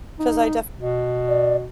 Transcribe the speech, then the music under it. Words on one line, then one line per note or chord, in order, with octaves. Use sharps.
'Cause I def
D#4
B2
D5